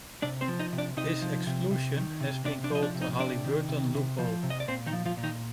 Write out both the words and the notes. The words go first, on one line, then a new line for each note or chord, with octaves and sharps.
This exclusion has been called the "Halliburton Loophole".
C3 D4 D5
C4 C5
F3
D#4 D#5
C3
D4 D5
C3 D#4 D#5
F3
C3
C3
D#3
C3
C3 D4 D5
D4 D5
F3 D#5
D4 D5
C3
D#4 D#5
C3 D4 D5
D#3
C3
C3
F3
C3
D#5
D5
A#2 C4 C5
D#3 D#4
F3
F3 F4
A#2
D#3 D#4